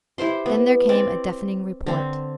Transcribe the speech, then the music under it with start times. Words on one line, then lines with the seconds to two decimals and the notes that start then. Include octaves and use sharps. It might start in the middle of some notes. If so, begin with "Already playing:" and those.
Then there came a deafening report.
0.18 E4 G4 C5 C6
0.46 B3
0.89 C4 D5
1.86 D3 C4